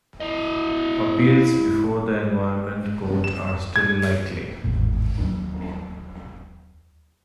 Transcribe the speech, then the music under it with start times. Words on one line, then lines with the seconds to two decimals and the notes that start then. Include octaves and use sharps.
Appeals before the Environment Court are still likely.
0.20 E4 D#5
3.24 E7
3.76 G#6
4.64 G#1 E2 A2
5.20 D#2 F#3